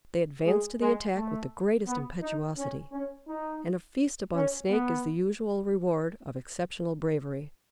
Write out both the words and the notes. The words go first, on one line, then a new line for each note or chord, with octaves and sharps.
They advance to the attack with the greatest impetuosity, and a feast upon snake is the usual reward of exceptional bravery.
G#3
G#3
A3
B3
D#4
C#4
C#4
D#4
C#4
B3